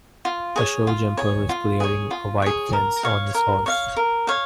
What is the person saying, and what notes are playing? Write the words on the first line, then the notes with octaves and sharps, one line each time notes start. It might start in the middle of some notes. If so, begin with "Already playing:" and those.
A show jumper is clearing a white fence on his horse.
F4
G#4 C#5
F4
G#4 C#5
F4
G#4 C#5
F4
G#4 C#5
A#4
C#5 F5
A#4
C#5 F5
A#4
C#5 F5